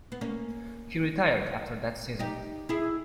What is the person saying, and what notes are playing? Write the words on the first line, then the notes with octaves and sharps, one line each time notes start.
He retired after that season.
B3
A#3 C#4
D#4 G4
E4 G#4